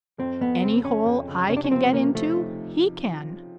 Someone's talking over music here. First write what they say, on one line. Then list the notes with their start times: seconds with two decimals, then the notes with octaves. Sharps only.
Any hole I can get into he can.
0.18 F2 C4
0.41 F2 B3
0.62 C#3 C4
0.84 C#3 C#4
1.06 F2
1.28 C#3
1.50 C3 C#4
1.57 D4
1.64 C#4
1.71 F3 C4
1.93 C3 A#3
2.15 F3 A3
2.37 D#4